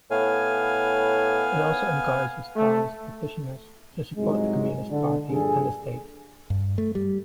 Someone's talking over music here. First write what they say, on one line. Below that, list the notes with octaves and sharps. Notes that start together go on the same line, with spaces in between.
It also encourages Taoist practitioners to support the Communist Party and the state.
A2 B3 F5 G#5
A3
C2 G#2 F#3 G#3
D3
A#1 G2 G#4 A4 G#5
G2
A3
G3